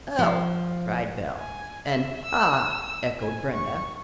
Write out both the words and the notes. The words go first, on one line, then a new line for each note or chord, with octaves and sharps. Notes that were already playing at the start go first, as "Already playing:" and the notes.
"Oh," cried Belle, and "Ah," echoed Brenda.
F3
G#5
E5
E6
E6
G#5
C#6